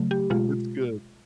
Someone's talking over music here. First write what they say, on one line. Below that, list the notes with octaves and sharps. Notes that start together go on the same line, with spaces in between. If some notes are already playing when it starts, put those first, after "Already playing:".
it's good.
Already playing: C#3 F#3 A3
G4
B2 G#3 F4